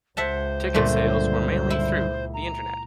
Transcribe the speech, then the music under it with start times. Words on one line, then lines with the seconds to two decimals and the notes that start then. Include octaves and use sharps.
Ticket sales were mainly through the Internet.
0.17 C#2 C5 E5 F#5 A5
0.75 G2 A#2 D3 A3
1.70 E4
2.33 A#5